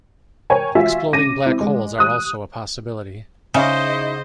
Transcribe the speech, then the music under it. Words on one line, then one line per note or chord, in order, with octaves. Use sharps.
Exploding black holes are also a possibility.
A#4 C#5 G5 G#5
F4 F#4 E5 G#5
C#4 D6 A#6 D#7
C4 E4
G#3
D#6 F#6
C#3 D#4 E4 F#4 C5 D#5